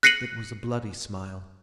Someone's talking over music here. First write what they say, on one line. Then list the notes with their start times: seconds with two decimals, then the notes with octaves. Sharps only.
It was a bloody smile.
0.03 F#6 A#6 C7 C#7 D#7 F#7